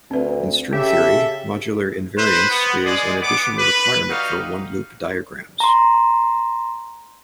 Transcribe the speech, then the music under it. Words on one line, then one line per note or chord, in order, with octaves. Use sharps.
In string theory, modular invariance is an additional requirement for one-loop diagrams.
D2 C4 B4
C#3 G4 A4 E5
B4 C5
B3
G#3 G#4 D5
B3 D6
B4
G3 D#4 F#4 F5
A#5 C6